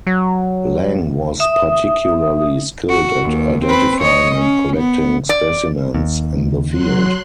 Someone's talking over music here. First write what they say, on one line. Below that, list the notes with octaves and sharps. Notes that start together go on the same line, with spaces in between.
Lang was particularly skilled at identifying and collecting specimens in the field.
F#3
E5 D#6
F#4
D#2
C4 B4
C#5 D#5
C#4
B3
D5
D#2
F#3 C6 F#6